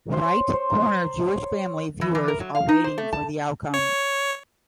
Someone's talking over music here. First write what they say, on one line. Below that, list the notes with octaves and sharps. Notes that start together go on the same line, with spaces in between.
Right corner Jewish family viewers are waiting for the outcome.
C5
C#5
C5
A#5
C#5
E3
E3
A#4
F#3
F5
D#4
C5
A3
A5
C#5